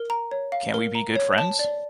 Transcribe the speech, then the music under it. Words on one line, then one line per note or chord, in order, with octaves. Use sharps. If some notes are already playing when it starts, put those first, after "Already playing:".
Can’t we be good friends?
Already playing: A#4
A#5
C#5
F5
A#4
A#5
C#5
A5
D5